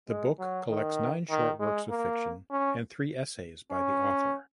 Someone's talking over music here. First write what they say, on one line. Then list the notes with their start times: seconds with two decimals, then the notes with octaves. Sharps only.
The book collects nine short works of fiction and three essays by the author.
0.08 G#3
0.39 F#3
0.69 D#3
1.30 D#3
1.60 G#3
1.90 A#3
2.51 C#4
3.71 C#4